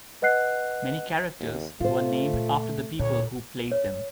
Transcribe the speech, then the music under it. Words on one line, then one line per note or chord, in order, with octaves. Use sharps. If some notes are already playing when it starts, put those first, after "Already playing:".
Many characters were named after the people who played them.
B4 D#5 F#5 F#6 C7
D#2
A2 A3 F4 C5
A#2
D2 A#2 C#5
C#5